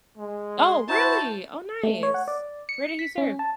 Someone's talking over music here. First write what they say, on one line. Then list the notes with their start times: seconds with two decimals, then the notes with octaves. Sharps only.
Oh, really? Oh, nice. Where did he serve?
0.18 G#3
0.58 C6
0.89 E4 F#4 C5 A5
1.83 A3
2.03 C#5
2.14 F#5
2.28 D5
2.69 C#7
2.99 B6
3.18 C#4
3.39 A5